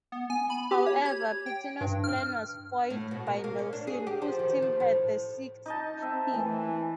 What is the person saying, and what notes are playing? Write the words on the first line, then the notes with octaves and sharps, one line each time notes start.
However, Pitino's plan was foiled by Nelson, whose team had the sixth pick.
B3
G#5
B5
G4
C#5
G#6
G5
G2
F6
A2
B2
A#4
A#3
C#4
D4
G#4
G4
F3
D#3
F3
A2
D#4 D#5 A5
C4 E5
E3 A3 A#3 G#5